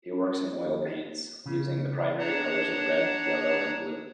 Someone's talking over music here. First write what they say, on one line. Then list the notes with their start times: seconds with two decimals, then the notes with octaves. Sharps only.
He works in oil paints, using the primary colors of red, yellow, and blue.
0.12 C#4
0.61 D#2
1.46 C#3
2.19 D4 C#5 F#5 A5 A#5